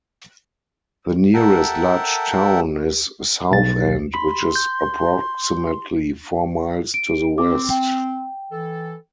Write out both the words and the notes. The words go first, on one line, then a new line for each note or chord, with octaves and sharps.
The nearest large town is Southend, which is approximately four miles to the west.
A4 A#4 E5 F#5 G5 A5
B1 A6
B5 C6
G6
D7
C4 D6
G5
E3 A4